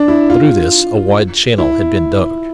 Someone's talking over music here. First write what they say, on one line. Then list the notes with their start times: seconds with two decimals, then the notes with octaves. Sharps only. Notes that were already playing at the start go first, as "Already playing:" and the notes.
Through this a wide channel had been dug.
Already playing: D4
0.08 E4
0.30 F4
1.58 E4